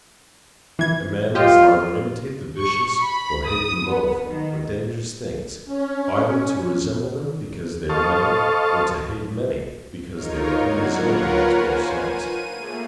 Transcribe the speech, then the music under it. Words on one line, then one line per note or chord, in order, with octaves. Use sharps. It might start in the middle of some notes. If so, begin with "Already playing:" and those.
A man must either imitate the vicious or hate them both are dangerous things, either to resemble them because they are many or to hate many because they are unresembling to ourselves.
E3 G#6
F4 G4 D#5 G5
C#6
B5
D#6
B3
D#3
C#4
A4 C5 D#5 F5 A5 C#6
D#4 F4 A#4 C#5
D3 F#3 A#3 F#5 G#6
F4 A#4 B4 C#5 F#5
C5 G#5
D#7
A3 A#3 G#4